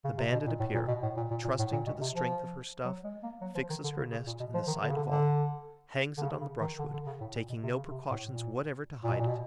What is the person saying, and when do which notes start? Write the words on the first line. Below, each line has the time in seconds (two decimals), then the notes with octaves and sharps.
The Banded Epeira, trusting to the strength of her stuff, fixes her nest in the sight of all, hangs it on the brushwood, taking no precautions whatever to hide it.
0.04 C#3
0.18 C3
0.32 B2
0.46 A#2
0.60 A2
0.74 A#2
0.88 B2
1.02 A2
1.17 A#2
1.31 A#2
1.44 A#2
1.59 A2
1.72 A#2
1.87 B2
2.01 C3
2.15 F3
2.85 F#3
3.04 G#3
3.23 A#3
3.41 F#3
3.55 F3
3.70 D#3
3.84 D3
3.97 C#3
4.11 C#3
4.26 A#2
4.40 B2
4.54 F3
4.67 D#3
4.83 D3
4.90 C#3
4.96 D3
5.10 D3
6.18 D3
6.23 C#3
6.41 C#3
6.60 D#3
6.79 D3
6.93 D3
7.06 C#3
7.21 A2
7.35 A#2
7.49 B2
7.63 C3
7.77 C#3
7.91 C3
8.10 A2
8.29 A#2
9.04 A#2
9.12 B2
9.19 A#2
9.27 B2